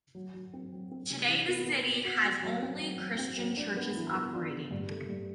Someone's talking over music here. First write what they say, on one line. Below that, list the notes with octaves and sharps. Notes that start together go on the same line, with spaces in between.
Today the city has only Christian churches operating.
F#3
F#3
C4
F#3
C4
C3
E3
B3
B3
B3
F#4
F#4
F#3
C4
F#3
F#3
C4
F#3
D4
B3
E3
B3
D4
D4
G2
A3
G2